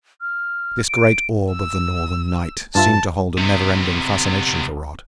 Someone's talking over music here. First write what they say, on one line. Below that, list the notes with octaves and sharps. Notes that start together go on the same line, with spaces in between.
This great orb of the Northern night seemed to hold a never-ending fascination for Rod.
F6
D7
E6
G2 F4 E5 A5
C3 B3